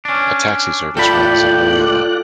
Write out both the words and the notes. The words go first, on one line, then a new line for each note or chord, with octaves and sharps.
A taxi service runs in Mouila.
C#4 D4
A2 F4 A4 D5 G5 B5 F#6